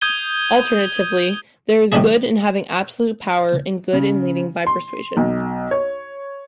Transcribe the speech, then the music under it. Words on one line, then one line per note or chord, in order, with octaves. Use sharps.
Alternatively, there is good in having absolute power, and good in leading by persuasion.
D#6 G6 G#6 D#7 G7
A2 D#3 G3 D4 E4 G#4
C#3
C6
B1
C#5